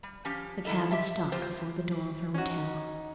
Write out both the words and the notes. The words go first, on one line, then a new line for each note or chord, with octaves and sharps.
The cab had stopped before the door of her hotel.
G3
F3 C#4 G4
G2 D#3 E4 A4 D#5
G4 E5 A5
C4 F4 G4 C5
C#4 D#4 F#4